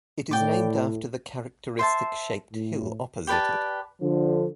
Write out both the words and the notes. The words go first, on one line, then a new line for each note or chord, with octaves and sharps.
It is named after the characteristic shaped hill opposite it.
A2 D5 G5 D6
C5 E5 A5
A2
G4 B4 D5 A5
D3 F3